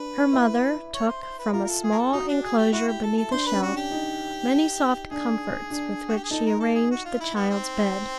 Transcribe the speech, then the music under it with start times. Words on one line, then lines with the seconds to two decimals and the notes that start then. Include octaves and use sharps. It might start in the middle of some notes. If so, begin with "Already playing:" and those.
Her mother took from a small inclosure beneath a shelf many soft comforts with which she arranged the child's bed.
Already playing: D4 B4
0.33 E4
0.94 C#5
1.08 C5
1.23 C5
1.39 B4
1.52 F4 A#4
1.64 A#4
1.68 A4
1.83 G#4
1.92 A#4
1.98 A4
2.12 D#4 F#4
2.28 D4
2.42 G#4
2.57 G4
2.73 E4 F#4
2.88 G4
3.03 A4
3.17 A4
3.32 D4 C5
3.46 B4
3.52 C#4
3.62 F#4
3.72 D4 G4
3.91 D#4
5.11 D4 G#4
5.70 D4
6.08 F#4
6.16 G4
6.24 G#4
6.30 D#4 A4
6.46 A#4
6.60 A4
6.75 G#4
6.91 F#4
7.05 F4
7.20 E4
7.35 B3
7.50 C4